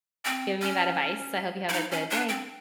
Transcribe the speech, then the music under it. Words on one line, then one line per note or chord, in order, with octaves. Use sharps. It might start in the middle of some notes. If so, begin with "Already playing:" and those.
giving me that advice. I hope you have a good day.
C4
C#4
E4
D#4
C#4
D4
C4